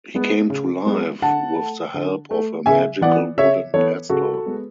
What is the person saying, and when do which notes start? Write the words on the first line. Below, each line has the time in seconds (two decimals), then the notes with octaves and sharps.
He came to life with the help of a magical wooden pestle.
0.15 G#3 B3
0.50 C#3
0.86 G#3 B3
1.22 D3 F#5 A5
1.58 A3
1.94 D3
2.31 A3
2.66 C#3 E5 G#5
3.01 E3 B3 D5 F#5
3.37 C#3 C#5 E5
3.74 E3 B3 A4 C#5
4.09 C#3 F#4 A4
4.46 G#3 B3